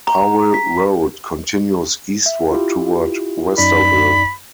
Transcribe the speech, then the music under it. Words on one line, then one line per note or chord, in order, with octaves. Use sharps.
Powell Road continues eastward toward Westerville.
A#5
B6
E5
E4 F4 G4
F#2 D#4 D5 B5